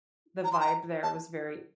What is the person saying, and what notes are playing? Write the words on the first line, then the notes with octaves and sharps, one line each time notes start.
The vibe there was very
A#5
C6
A#5
A5